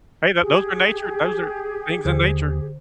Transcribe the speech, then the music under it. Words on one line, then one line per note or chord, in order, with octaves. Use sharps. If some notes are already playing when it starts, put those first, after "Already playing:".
Hey, that those are nature those are things in nature.
G4 G#4
D#2 D3 C5